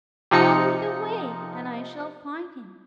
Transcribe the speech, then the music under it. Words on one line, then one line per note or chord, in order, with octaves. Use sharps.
"Tell me the way, and I shall find him!"
C3 F3 D#4 C#7